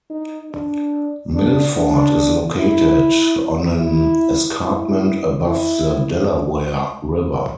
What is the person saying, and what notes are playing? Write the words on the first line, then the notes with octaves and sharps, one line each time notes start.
Milford is located on an escarpment above the Delaware River.
D#4
D4
D4
D4
E4
E4
E4
E4